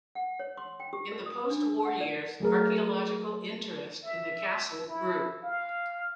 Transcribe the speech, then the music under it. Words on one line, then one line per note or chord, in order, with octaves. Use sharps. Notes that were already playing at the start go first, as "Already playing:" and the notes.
In the post-war years, archaeological interest in the castle grew.
F#5
C#5
C6
G5
G4
A#4
D#6
D4
A#4
F#5
D5
F#3 A3 G#4 A#4
E5
E4
F5